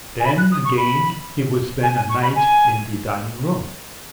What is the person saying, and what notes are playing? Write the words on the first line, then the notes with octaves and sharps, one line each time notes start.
Then again he would spend a night in the dining room.
G#5
B5
F#6
D#6
C#6
B5
G#5
G#5
C#6
B5
G#5